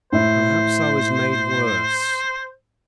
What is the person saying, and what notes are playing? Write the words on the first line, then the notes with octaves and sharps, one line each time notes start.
Perhaps I was made worse.
A2 E4 C5